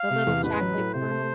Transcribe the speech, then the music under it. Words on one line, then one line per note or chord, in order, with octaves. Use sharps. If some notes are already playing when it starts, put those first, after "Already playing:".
The little chocolate turtles?
Already playing: F5
C3
E2
A1 B4
F#3
A2
C3 C5
A3